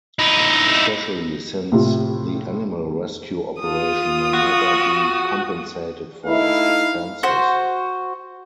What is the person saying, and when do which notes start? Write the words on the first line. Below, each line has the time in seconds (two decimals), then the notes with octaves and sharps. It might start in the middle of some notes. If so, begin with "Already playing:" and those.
Especially since the animal rescue operation may never be compensated for its expenses.
0.19 D#4 E4
1.72 A2 C3 F4
3.60 F4 D#6
4.34 F#4
6.26 A3 D#4 E4 F5
7.23 F#4 C5